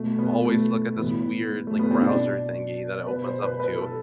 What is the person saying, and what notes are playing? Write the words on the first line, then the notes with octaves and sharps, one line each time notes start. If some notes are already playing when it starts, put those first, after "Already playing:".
always look at this weird, like, browser thingy that it opens up to,"
Already playing: B2 A3
B3
A3
A2 E3 B3
A3
B3
C4
B2 D4
B2 B4
C5
B4
B4
A4